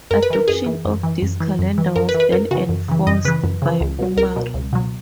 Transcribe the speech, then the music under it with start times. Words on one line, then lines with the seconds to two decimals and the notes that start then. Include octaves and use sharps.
Adoption of this calendar was then enforced by Umar.
0.11 F#2 A#4
0.23 B4
0.30 E3 A#4
0.48 F#2 G#4
0.66 E3
0.85 F#2
1.03 E3
1.22 F#2
1.40 E3
1.59 F#2
1.78 E3
1.96 F#2 A#4
2.09 B4
2.14 E3
2.20 B4
2.32 F#2 A#4
2.51 C#3 E3 F#4
2.69 F#2
2.88 C#3 E3
3.07 F#2 D#5
3.25 C#3 E3 B4
3.44 F#2
3.62 C#3 E3
3.80 C#2
3.99 B2 F#3
4.17 C#2 A#4
4.36 B2 F#3
4.54 C#2
4.73 B2 F#3